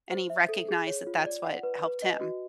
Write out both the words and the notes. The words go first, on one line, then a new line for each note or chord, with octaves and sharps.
and he recognized that that's what helped him.
C5
E5
A4
G#4
C#5
F4
D5
F#5
B4
B4
D#5
F#4